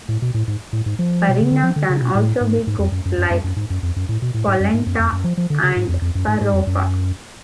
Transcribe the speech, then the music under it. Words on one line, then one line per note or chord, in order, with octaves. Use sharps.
Farina can also be cooked like polenta and farofa.
A2
B2
A2
G#2
A2
G#2
F3
B2
C#3
D3
F3
D3
C#3
B2
A2
G#2
G#2
F2
F#2
F#2
F#2
F#2
F#2
G#2
F#2
F2
F#2
A2
B2
A2
G#2
F#2
G#2
F#2
F2
F#2
F3
F3
D3
C#3
G#2
F2
F2
F#2
G#2
G#2
F2
F#2